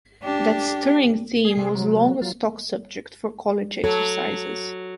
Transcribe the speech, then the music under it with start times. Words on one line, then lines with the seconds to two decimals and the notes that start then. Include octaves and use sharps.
That stirring theme was long a stock subject for College exercises.
0.23 D4 G4
1.45 G#4
1.57 C3
1.75 F#3
2.21 F#3 F4
3.84 F#3 A4